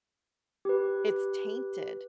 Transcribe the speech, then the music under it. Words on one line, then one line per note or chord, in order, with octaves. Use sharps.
it's tainted
G4 B4